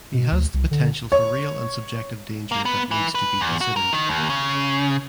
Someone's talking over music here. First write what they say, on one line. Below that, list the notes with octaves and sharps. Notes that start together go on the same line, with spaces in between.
He has the potential for real and subjective danger that needs to be considered.
B2
D2
C2
D3
C#5
A#3
B3
E3
B4
E2
F#4
A#4
D#3
D#2
C#3